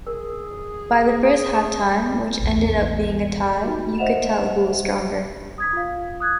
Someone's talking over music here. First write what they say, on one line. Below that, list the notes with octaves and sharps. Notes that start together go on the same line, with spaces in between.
By the first half-time, which ended up being a tie, you could tell who was stronger.
G#4 A#4
A#1 E2
D#4 F#4
C5 D#5 E5 F#5 E7 F7
D#6 G#6 B6
F4 F5
D#6 F#6 G#6